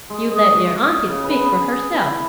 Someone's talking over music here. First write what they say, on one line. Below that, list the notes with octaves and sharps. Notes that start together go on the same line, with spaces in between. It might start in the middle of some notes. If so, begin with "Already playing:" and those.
You let your aunty speak for herself.
G#3
D#5
F#4
D#5
D#5
C#3
B4
B3
G#4
E4